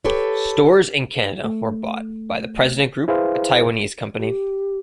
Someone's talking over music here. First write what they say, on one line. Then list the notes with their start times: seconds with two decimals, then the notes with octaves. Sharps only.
Stores in Canada were bought by The President Group, a Taiwanese company.
0.04 G4 A4 B4 C#5
1.44 A3
3.08 E4 G#4 B4 C5 F5
4.18 G4